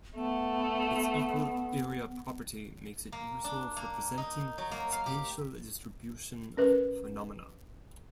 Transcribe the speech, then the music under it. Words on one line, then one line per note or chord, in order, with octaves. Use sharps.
Its equal-area property makes it useful for presenting spatial distribution of phenomena.
A3 B3
A#3
D4
A#3
D#4
F#3
A#3
F5
G4
C#4 A#4 B4